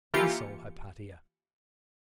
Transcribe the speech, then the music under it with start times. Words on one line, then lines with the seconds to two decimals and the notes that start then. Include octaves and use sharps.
Be so, Hypatia....
0.14 E3 A#3 F4 G4 C#7